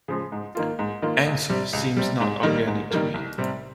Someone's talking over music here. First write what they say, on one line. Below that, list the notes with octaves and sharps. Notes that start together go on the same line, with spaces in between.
"Angst" seems not organic to me.
C#3 F3 G#3
G#2
D#3 A#3 F4
G#2
D#3 A#3 F4
C#2
C3 G3
C#2
C3 G3
G#2
D#3 G3 A#3
G#2
D#3 G3 A#3
C2
C3 G3